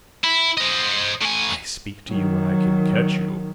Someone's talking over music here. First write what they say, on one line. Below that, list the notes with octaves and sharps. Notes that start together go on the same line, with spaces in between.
I speak to you when I can catch you.
E4
C5 D#5
A2 G#5
D#3 F#3